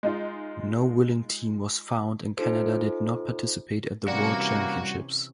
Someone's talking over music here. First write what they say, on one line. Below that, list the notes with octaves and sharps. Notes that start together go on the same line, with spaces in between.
No willing team was found and Canada did not participate at the World Championships.
G#3 D#4 F4
D#4 F4 A4 C5
C3 E3 G3 A#3 C#4 F#4 F#5